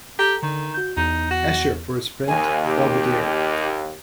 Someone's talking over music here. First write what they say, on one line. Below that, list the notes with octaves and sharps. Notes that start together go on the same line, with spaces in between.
Escher for his print "Belvedere".
G4 A4 A#5
D3 D#3
F#4 G6
E2 D#4
F#4
D#2 G#5
G4